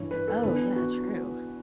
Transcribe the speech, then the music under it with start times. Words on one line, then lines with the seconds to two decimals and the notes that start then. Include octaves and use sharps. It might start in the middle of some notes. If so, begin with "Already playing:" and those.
Oh, yeah. True.
Already playing: G2 E3 C#5
0.11 B4
0.28 A4
0.43 E2 D3 B4
0.76 F#4